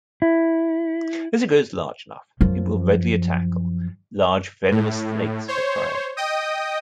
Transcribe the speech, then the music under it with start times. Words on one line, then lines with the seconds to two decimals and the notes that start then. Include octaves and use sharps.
As it grows large enough, it will readily tackle large venomous snakes for prey.
0.22 E4
2.41 F#2 F3
4.71 A2
5.48 C5 C#5
6.17 D#5 G5 D#6